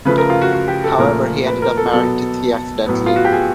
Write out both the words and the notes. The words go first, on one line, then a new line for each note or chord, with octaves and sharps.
However he ends up marrying Tithi accidentally.
C#3 F3 A3 B4
A#4
F4
F#4
F#4
G4
A4
A#2 F3 A3 A#4
B4
A#4
A4
B2 F#3 B3 A4
A2 F#3 B3
F4
F#4
G4
G#4